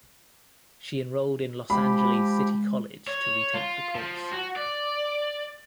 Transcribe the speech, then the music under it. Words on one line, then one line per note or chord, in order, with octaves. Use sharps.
She enrolled in Los Angeles City College to retake the course.
F3 G#3 G4 B5
C#5
F4
F3
F#4
D5